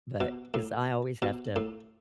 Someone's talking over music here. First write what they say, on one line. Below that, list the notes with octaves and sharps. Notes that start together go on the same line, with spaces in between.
but 'cause I always have to,
B2
A2
B2
A2